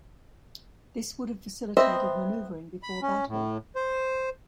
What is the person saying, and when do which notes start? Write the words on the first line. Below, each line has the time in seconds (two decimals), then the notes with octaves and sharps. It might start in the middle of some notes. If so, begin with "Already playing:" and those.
This would have facilitated manoeuvring before battle.
1.77 B3 C4 C5 D#5 E5
2.83 B5
3.02 C#4
3.28 A2
3.76 C5